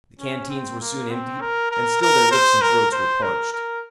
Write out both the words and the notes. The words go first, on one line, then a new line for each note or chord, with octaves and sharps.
The canteens were soon emptied, and still their lips and throats were parched.
C#4
C4
A#3
C4
A#4
A#4
A#4
C5
A#4
C5
A#4
A#4